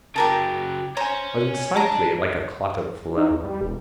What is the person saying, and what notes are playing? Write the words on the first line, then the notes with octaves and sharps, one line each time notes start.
Unsightly like a clot of phlegm.
C#3 F#3 G4 A#4 A5
C5 C#5 G#5 A#5
D5 A5 A#5
D#4
E2
G3
E1